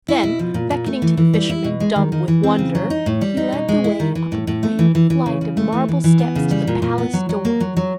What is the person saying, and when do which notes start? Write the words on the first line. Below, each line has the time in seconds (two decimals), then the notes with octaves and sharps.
Then, beckoning to the fisherman, dumb with wonder, he led the way up the great flight of marble steps to the palace door.
0.08 E4
0.23 B2
0.39 F3
0.54 A#2
0.71 A#2
0.86 A3
1.02 E3
1.17 E3
1.34 G3
1.49 E4
1.64 B2
1.80 G#3
1.96 D#3
2.12 D#3
2.28 E3
2.43 C4
2.58 C#3
2.75 F#3
2.90 D#4
3.06 A2
3.21 G3
3.37 D#4
3.52 B2
3.69 G#3
3.84 E4
4.00 D#3
4.15 E3
4.32 A2
4.47 A2
4.63 A3
4.79 E3
4.95 E3
5.10 E3
5.26 C#3
5.41 C#3
5.57 A3
5.72 E3
5.88 E3
6.04 E3
6.19 B3
6.35 C#3
6.51 G3
6.67 A#2
6.82 A#2
6.98 B3
7.13 F#3
7.29 F#3
7.45 A#3
7.60 F#3
7.77 F#3